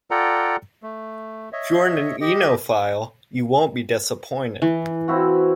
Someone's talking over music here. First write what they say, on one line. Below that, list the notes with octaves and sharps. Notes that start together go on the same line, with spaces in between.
If you're an oenophile you won't be disappointed.
F4 A4 D5 F#5 G5 A#5
A3
C#5 D#5 E5
G4 D#5
E3
C4 E4 F#4